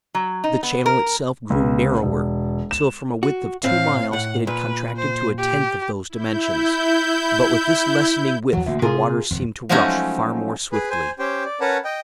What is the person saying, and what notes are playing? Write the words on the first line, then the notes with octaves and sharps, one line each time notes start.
The channel itself grew narrower, till from a width of two miles it had contracted to a tenth of those dimensions; but with this lessening width the waters seemed to rush far more swiftly.
F#3
D#4
B3
A#4
C#2
E1
E7
F#4
A2 C4 F5
A2 F#5
A#2 B4
C5
G4
E4 G6
E2 E3 F#3
A1 D2 D3 A#3
C3 F4 G#4 A#4
D#1 F2
F3 F#3 G#3 A3 C#4 D#4
G#4 B4
C5 G#5
C#4 G4 C5 G5
D5
C#4 A#4 B4 C#5 F#5 A5
D#5 G5